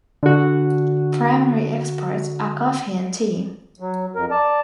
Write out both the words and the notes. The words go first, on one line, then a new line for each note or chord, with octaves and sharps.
Primary exports are coffee and tea.
D3 F#4
F#3
F2 A#4
D5 A5